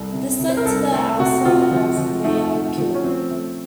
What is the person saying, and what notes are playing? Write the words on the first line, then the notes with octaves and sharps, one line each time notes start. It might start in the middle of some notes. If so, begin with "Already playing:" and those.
This led to the ouster of Mayor Kyll.
Already playing: C2 A4
C3
C3
C5
A#4
C2 A4
A3 A4
C3 F#4
C3 F4
F3
F3
A3 D#4
A3
F3
C#4
A3 C4
A3